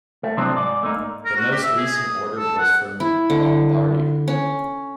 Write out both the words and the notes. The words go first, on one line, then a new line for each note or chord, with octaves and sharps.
The most recent order was from Bombardier.
A3
C3 E3 F#3 B3 C4 D4
G#2 D5
A3 A#3 D#4
A#4
F#4
G4
E5
G#4
D#6
A4
F#5
E4
D3
C#4